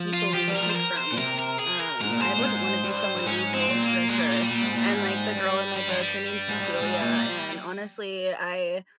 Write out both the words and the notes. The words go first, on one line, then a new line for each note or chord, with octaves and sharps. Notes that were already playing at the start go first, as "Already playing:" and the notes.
people we could pick from. Um, I wouldn't wanna be someone evil for sure, and, like, the girl in my book, her name is Cecilia, and honestly, I
Already playing: F3
F4
F3 G4
G3
A#4
F3
C5
A#4
C5
A#2
C3 A#4
A#4
G#4
A#4
G#2 A#4
A#2
G#2 C5
A#2
G#2
G2
G2
G#2 C#4
C4
A#2
A#3
A#2 G#3
G3
F3
G3
A#2
G#2
A#2
G#2
G2
G3
F3
G3
G#2
G2
G#2
A#2